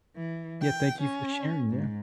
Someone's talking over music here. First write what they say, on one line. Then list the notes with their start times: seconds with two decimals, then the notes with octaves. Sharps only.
Yeah, thank you for sharing, yeah.
0.16 E3
0.63 G5
1.03 C#4
1.70 G#2